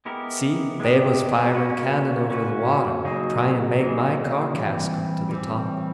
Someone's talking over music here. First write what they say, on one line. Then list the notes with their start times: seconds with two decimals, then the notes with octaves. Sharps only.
You see, they was firing cannon over the water, trying to make my carcass come to the top.
0.05 G#3 B3 E4 G4 A#4
0.80 G#3 B3 E4 G4 A#4
1.55 A#3 C#4 F#4 B4
2.30 A#3 C#4 F#4 B4
3.05 C#3 F#3 A#3 D#4 G#4
3.79 C#3 F#3 A#3 D#4 G#4
4.54 E3 G3 C4
5.29 E3 G3 C4